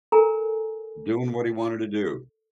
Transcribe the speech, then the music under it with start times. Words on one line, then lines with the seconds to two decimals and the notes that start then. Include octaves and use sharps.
Doing what he wanted to do.
0.12 A4 A#4 G#5 A#5